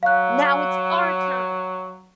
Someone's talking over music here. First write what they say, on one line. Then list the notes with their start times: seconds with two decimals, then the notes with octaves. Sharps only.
Now it's our turn!...
0.03 F#3 F5 F#6